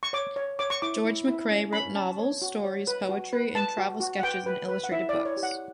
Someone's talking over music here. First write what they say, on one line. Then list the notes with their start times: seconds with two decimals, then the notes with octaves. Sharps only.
George McCrae wrote novels, stories, poetry, and travel sketches, and illustrated books.
0.03 C#6
0.13 C#5 D6
0.36 C#5
0.59 C#5 D6
0.70 C#6
0.82 E4 D6
1.05 E4
1.28 E4
1.51 C#4
1.73 C#4 B5
1.95 C#4 A5
2.19 C#5
2.42 F#4
2.64 C#5
2.87 B4
3.09 F#4
3.33 B4
3.55 B4 A5
3.78 F#4
4.00 F#4
4.20 F#5
4.23 B4 G5
4.46 B4
4.68 B4
4.84 F#5
4.92 E4 E5
5.09 D5
5.14 E4
5.25 C#5
5.37 G4
5.43 F#5